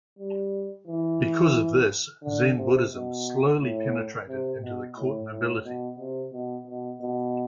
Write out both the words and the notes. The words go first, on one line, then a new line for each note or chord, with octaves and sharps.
Because of this, Zen Buddhism slowly penetrated into the Court Nobility.
G3
E3
D3
C3
B2
A2
C3
B2
A2
A2
B2
C3
B2
B2
B2